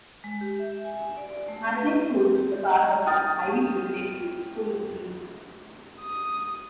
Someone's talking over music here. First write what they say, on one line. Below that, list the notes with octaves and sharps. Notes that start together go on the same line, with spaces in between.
Hackley School is a part of the Ivy Preparatory School League.
G#3
G4
E5
E5
G#5
D5
A3
B4
C4
G4
D#5
G5 D#6 F6 A6
D#6